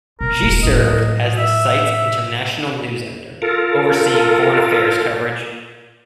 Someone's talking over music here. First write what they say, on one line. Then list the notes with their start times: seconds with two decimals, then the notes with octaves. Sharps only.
She served as the site's International News Editor, overseeing foreign affairs coverage.
0.21 B2 A#4
0.42 D#1
0.63 A2 F#3 D#5
1.38 E5
3.42 F4 A4 A#4